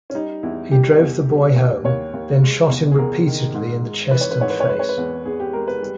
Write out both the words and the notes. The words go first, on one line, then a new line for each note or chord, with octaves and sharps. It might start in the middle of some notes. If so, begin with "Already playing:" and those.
He drove the boy home, then shot him repeatedly in the chest and face.
C#4
G3 D#4
E2 E4
G3 G4
E2
G3
D#2
D#2 C#5
D#2
G#3
E2
G#4
E2 A#4
D#3
G#2
G#3
E3 B4
C#5
B4
G#2 C#5
B4
C#5
G#3 B4
C#5
B4
E2
E2 G#4
G4
G#3 A#4
B4
G3